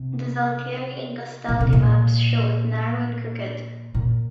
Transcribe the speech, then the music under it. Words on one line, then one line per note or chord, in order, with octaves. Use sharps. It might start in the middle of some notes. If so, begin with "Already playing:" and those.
The Zaltieri and Gastaldi maps show it narrow and crooked.
Already playing: C3
A#2
C3
A#2
A#2